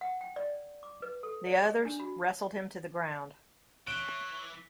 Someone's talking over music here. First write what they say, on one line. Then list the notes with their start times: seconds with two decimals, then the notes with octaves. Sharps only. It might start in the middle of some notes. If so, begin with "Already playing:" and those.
The others wrestled him to the ground.
0.01 F#5
0.21 G5
0.36 D5
0.83 D6
1.02 B4
1.23 A4
1.46 D5
1.62 G#4
1.85 D4
2.00 F#4
3.87 E3 C#5 F#6 D7 E7 G7